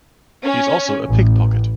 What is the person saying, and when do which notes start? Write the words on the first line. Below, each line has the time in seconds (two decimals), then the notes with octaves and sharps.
She is also a pickpocket.
0.43 C#4
1.08 A1